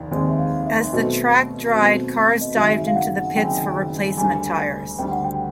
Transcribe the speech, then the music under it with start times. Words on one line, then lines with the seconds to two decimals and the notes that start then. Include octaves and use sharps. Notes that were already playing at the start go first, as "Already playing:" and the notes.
As the track dried, cars dived into the pits for replacement tyres.
Already playing: F1 D#2 D#3 C4
0.11 F1 D#2 D#3 G#3 C4
0.29 E5
0.38 F5
0.65 E5
0.93 B2 F#3 A3 C4 D#5
1.74 B2 F#3 A3 C4
2.41 D#5
2.55 F#1 F#2 D#3 F#3 E5
2.87 F5
2.95 F#5
3.36 F#1 F#2 D#3 F#3 G5
4.17 D2 D3 G3 G#5
4.99 D2 D3 G3 G5
5.11 F#5
5.24 G5